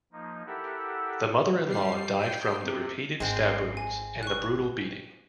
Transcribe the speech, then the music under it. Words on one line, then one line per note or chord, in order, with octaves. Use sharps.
The mother in-law died from the repeated stab wounds and the brutal beating.
F3 A#3 D#4
E4 G4 A4 A#4 E5 F#5
G3 C7
G5 C7
C3
G#1 G#3 C4
G#5
C#6 F#6